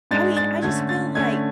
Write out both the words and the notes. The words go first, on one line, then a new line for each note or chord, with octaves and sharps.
I mean, I just feel like
G#2 G#3 D4 A6
A6
D3 A3 C#4 G#6
A6
D3 A3 C#4 G#6